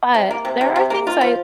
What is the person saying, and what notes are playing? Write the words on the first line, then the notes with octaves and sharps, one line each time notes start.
but there are things I
C3
A#3
C3
C3
C3
A#3
F4
F3